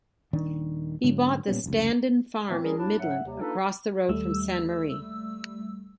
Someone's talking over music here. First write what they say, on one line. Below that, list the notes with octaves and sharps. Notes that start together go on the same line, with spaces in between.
He bought the Standin farm in Midland, across the road from Sainte-Marie.
D#1 D#3 D4
G#2 D3 F#3
A#2 G3 B3 C#4
F1 C#2
A2 D#3 E3 A3 B3 C4
G3 C#4 G#4 A#4
D#2 D4 E4
G#2 F#3 E5 F#5
D#2 C3 G3
A#3 D4 D#4 F4 A4 B4
D#2 G3 A3 E6